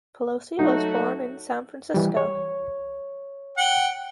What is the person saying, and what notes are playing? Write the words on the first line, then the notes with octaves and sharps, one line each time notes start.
Pelosi was born in San Francisco.
F#3 A3 D#4 F#4
E3 G3
C#5
F#5 G5